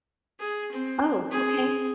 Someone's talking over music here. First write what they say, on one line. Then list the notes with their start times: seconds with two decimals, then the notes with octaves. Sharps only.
Oh, okay.
0.39 G#4
0.72 C4
1.30 C4 G#4